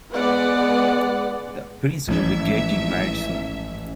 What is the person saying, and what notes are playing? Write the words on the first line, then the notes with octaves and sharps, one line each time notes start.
The prince will be getting married soon.
G#3 B3 B4 D5 F#5
A1 G#2 E3 F3 C#4 E5